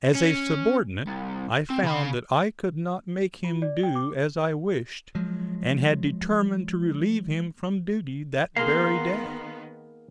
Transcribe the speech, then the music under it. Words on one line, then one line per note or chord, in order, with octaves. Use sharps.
As a subordinate I found that I could not make him do as I wished, and had determined to relieve him from duty that very day.
C#4
C2
C4
C#3 B5
F4
D5
G5
D6
F3 F#3 G#3
D#3 A#3 B3 G#4 F5 A#5 C6